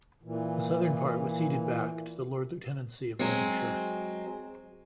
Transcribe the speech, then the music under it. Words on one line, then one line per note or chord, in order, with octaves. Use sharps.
The southern part was ceded back to the Lord Lieutenancy of Lincolnshire.
A#2 E3
F#3 G#3 C4